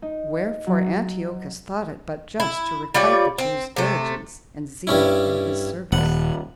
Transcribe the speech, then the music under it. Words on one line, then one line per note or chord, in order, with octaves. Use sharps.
Wherefore Antiochus thought it but just to requite the Jews' diligence and zeal in his service.
D#4
F#3
E4
G3 F4 C#5 D5
C4
C3 A3
G2 C#4 E4
D#1 F#5